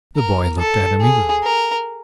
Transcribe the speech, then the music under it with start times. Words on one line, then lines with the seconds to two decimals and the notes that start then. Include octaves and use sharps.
The boy looked at him eagerly.
0.16 A#4
0.59 A4
1.02 G#4
1.44 A#4